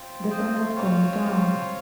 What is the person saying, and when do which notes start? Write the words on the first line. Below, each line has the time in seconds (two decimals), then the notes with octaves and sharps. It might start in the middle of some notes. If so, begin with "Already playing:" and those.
The sun was going down.
Already playing: C4 F4
0.31 C5 D#5
0.76 C4 F4 C#5 F5